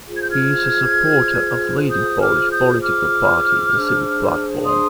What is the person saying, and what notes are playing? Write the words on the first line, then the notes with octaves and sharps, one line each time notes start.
He is a supporter of leading Polish political party, the Civic Platform.
F4 G#4 C5
G#6
G6
F6 G#6
D#6 G6
D6 F6
D#6 G6
D6 F6
D4 G#4 C5
C6 D#6